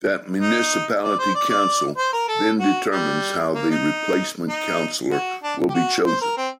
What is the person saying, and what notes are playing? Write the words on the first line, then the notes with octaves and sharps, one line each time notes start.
That municipality council then determines how the replacement councillor will be chosen.
D#4
D5
C5
D5
D5
C5
A#4
A4
F#4
G3
A#3
D#4
D#4
F#4
D4
G4
F#4
C5
A#4
C4